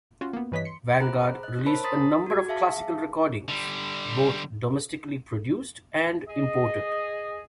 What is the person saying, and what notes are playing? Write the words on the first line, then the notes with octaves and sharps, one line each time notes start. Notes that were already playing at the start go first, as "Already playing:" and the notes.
Vanguard released a number of classical recordings, both domestically-produced and imported.
C#4 F4 F#4
A#3 B3
G2 E3 B4 C#5 D#5 B6
C6 C#7
G#4 C5 A#5 B5 F#6
D#5 F#6
A#4 C5 C#5 A5 B5
A#5 C6 D#6 A6 B6
F#4 G#6
G#4 E5 F5 A5
D3 G3
G#4 D#5